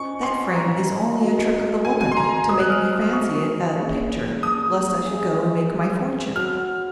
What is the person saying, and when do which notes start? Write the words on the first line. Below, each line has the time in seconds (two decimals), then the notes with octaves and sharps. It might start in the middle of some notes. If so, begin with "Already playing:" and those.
That frame is only a trick of the woman to make me fancy it a picture lest I should go and make my fortune.
Already playing: C#4 F4 C5 D#5 G#5 C#6
0.23 C6
0.56 A#5
1.20 F#4 A#4 D#5
1.85 G#5
2.01 G#5
2.12 C6
2.17 A#5
2.49 F#4 C5 D#5 G#5 D#6
2.60 F#6
2.70 F6
2.93 D#6
3.13 C#6
3.78 A#3 C#4 G#4 C#5
4.43 D#6
5.07 G#4 D#5 G#5
6.36 F#4 C#5 F#5 F6